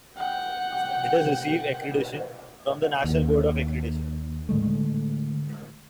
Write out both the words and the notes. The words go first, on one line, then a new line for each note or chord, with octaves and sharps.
It has received accreditation from the National Board of Accreditation.
F#5 G5
D#2
A2 D3 G#3 A3